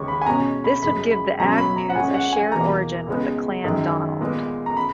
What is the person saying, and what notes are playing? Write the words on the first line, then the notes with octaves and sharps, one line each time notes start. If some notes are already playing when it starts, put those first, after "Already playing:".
This would give the Agnews a shared origin with the Clan Donald.
Already playing: D#2 C#3 G#3 C#4 C#6
B5
G#5
B2 G#3 C#4 A#5
B5
F#2 C#3 G#3 B5
B5
B2 F#3 C#4 A#5
B5
A#5
F#5
A#2 G#3 C#4 G#5
F#5
G#5
E2 B2 A#3 A#5
C#2 C#3 G#3 B3
F#2 D#3 G#3
A#2 G#3 B3
A#5
B5